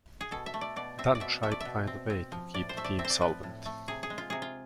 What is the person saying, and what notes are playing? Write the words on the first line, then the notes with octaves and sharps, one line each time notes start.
Dunn tried to find a way to keep the team solvent.
G#4
B2 A4
E5
A3
D5
B2 D5
C4 E5
D5
B2 E5
A3 E5
D5
B2 E5
C4
C4
F3
A2 D5
C5
A3 E5
D5
C4 E5
C5
D5
F3 B4
A2
A3
C3 G#4
G#4
G#3
F4
C3 G#4
F4